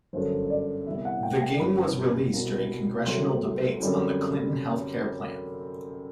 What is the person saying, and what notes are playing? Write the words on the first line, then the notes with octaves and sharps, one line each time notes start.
The game was released during Congressional debates on the Clinton health care plan.
G1 F#2 D3 C5
D5
C2 C3 E3 G3 B3 E5
F#5
G5
G5
G1 F#2 E3 G3 B5
C2 B2 G3 C4
C2 C3 F#3 A3 C4 C6
F#2 D3 G3 C4